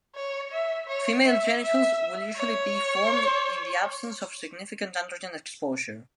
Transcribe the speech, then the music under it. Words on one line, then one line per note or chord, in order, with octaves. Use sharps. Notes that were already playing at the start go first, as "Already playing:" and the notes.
Female genitals will usually be formed in the absence of significant androgen exposure.
C#5
E5
C#5
E5
E5
C#5